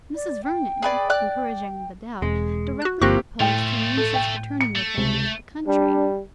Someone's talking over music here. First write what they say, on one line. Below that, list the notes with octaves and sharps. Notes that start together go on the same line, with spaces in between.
Mrs. Vernon, encouraging the doubt, directly proposed her niece's returning with them into the country.
D5
G5
G#4 B4 D5
D5 F#6
E1 G#3 C4
F#4 F#6
G1 F3 A#3 C4 G4 C#6 F#6 A#6
A2 A3 F4 G5
A4
G5
C#7
A3
C#2 C3 G#3
G3 D4